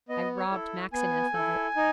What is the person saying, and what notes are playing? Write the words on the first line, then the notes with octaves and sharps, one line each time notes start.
I robbed Maxineff of it.
B3 D#5
C#5
E4 A4
B3 G#5
E4 A4
D#4